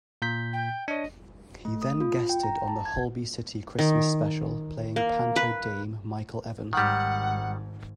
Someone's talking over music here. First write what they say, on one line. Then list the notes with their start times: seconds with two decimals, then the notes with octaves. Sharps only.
He then guested on the Holby City Christmas Special, playing panto dame Michael Evans.
0.22 A#2 G6 B6
0.53 G5
0.88 D4 C#5 D#5
1.65 A3
1.82 D#6
2.00 F4
2.29 G5
2.43 A#5
2.68 A5
2.85 G#6
3.79 D#3
4.96 A#3
5.36 B4
6.73 G#1 G#2 D#3 G3 F#5